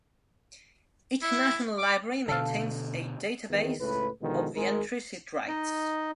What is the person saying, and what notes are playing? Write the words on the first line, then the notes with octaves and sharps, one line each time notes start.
Each national library maintains a database of the entries it writes.
E4
D6
B2 D3 A4 F5
E2 D#3
C#2 A2 B4
B2 D3 D#3 F3 G#3
G#1 G#3 C4 G#4 A#4
D#4 D#5